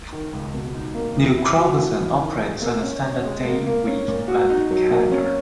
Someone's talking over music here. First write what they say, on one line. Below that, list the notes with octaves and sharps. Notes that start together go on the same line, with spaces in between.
New Crobuzon operates on a standard day, week, month calendar.
D#3
C#2
B2
D#4
A#3
E2
E4
F#4
E3
E3
D#3
G#4
A#3
C#4
C#4
G#3
A#3
A#3
C#4
A#2
F#4
D#4
F#3
A#3
C#4